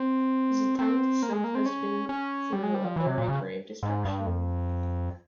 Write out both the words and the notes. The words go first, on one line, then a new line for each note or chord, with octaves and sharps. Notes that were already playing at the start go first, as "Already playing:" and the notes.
The town itself has been through a very grave destruction.
Already playing: C4
C4
A#3
G#3
A#3
C4
C#4
C#4
G3
G#3
G3
F3
E3
C3
A#2
C#3
G#2
G2
F2